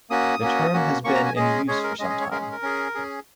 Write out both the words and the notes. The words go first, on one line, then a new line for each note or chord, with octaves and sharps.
The term has been in use for some time.
A#3 C#4 F#4 D#6
A#3 C#4 F#4
A#3 C#4 F#4
A#3 C#4 F#4 C#6
A#5
G#5
G#3 C#4 G#4 D#5
G#3 C#4 G#4 C#5
A#4
G#3 C#4 G#4 D#5
D#5
C#5
G#3 C#4 G#4 A#4
G#4
A#4
C#4 G#4
C#4 G#4